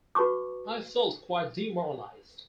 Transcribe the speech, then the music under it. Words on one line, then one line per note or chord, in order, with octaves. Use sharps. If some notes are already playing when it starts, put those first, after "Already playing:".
I felt quite demoralised.
F#4 B4 A5 C#6 D6